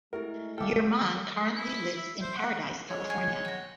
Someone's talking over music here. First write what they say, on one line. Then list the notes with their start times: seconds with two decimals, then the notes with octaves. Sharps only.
Yerman currently lives in Paradise, California.
0.13 G#3 A3 E4 G4 A#4 E5
0.58 D#2 C#3 A4 E5 F5 G5 D6 F6
1.55 E4
1.97 E5
2.22 C5
2.37 F#5
2.89 G#3 C#5
3.07 G#4 G#5
3.45 F#4 G5